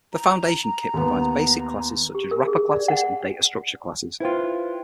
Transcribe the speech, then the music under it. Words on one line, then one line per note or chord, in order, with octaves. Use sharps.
The Foundation Kit provides basic classes such as wrapper classes and data structure classes.
A#5
D#2 B3
G4
A#4
G#4
D5
F#5
E4 F4 B4 C5 G5